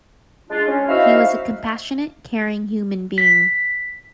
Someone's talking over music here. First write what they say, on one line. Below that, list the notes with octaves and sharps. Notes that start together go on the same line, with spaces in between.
He was a compassionate, caring human being.
G#3 D4 F4
C#4
D#4 E4 F#4 C5 E5 F5
B6